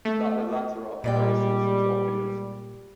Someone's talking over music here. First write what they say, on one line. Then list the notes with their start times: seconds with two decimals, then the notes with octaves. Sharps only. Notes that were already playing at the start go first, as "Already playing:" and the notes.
That the latter are 'places' is obvious.
0.05 A3
1.04 A#2 G3 G#3 D5 G5